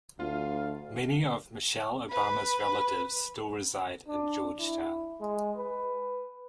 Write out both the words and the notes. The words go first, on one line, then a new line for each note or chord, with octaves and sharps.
Many of Michelle Obama's relatives still reside in Georgtown.
D2 F4 F5
B4 B5
D4
E4
G#3
B4